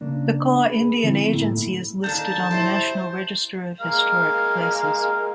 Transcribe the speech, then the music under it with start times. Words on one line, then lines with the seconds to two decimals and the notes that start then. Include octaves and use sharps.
The Kaw Indian Agency is listed on the National Register of Historic Places.
0.01 C#3 A#3 D4
0.67 G#4 B4
1.03 D3 F3 C4 E4
1.33 A2 A#3 E4 A4
2.04 D#2 D3 D#3 A5 G6
2.51 F#3 E4 G4 C5
3.80 G#3 A#4 F5